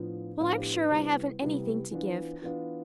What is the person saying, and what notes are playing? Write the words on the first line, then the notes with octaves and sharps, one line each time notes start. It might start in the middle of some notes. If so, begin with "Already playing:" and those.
Well, I'm sure I haven't anything to give.
Already playing: A2 F3 B3 D4 F4
A2 F3 B3 D4 F4 F5
G4
B4
C3 G3 B3 E4 C5
C3 G3 B3 E4
E3 B3 D4 F4
E3 B3 D4 F4